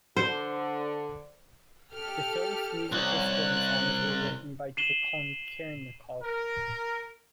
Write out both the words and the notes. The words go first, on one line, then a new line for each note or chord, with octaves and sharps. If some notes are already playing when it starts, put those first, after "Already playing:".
The film's musical score and songs were written by Tikhon Khrennikov.
D3 C5
G4 A4 F6
C2 C#5 F#6
C7 D#7 E7 F#7 G7
A#4